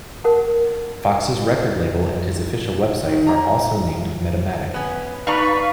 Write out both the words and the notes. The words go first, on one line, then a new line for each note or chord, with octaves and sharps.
Foxx's record label and his official website are also named Metamatic.
A#4 F#5 A5
D#3
A#5
B3 C#4
D#4 B4 D5 F5 A#5 B5 C#6